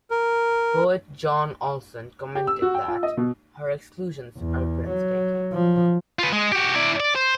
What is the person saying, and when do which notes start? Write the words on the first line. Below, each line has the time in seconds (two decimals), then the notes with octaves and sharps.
Poet John Olson commented that "her exclusions are breathtaking".
0.10 A#4
2.35 G4
2.47 E6
2.62 F#4
2.74 G5
2.88 F4
3.03 D#5
3.17 B2
4.38 E2
4.88 F#3
5.53 F3
6.19 F4 B4
6.32 G#3
6.52 F#4 G4
6.75 E4 D5
7.00 D5
7.15 C5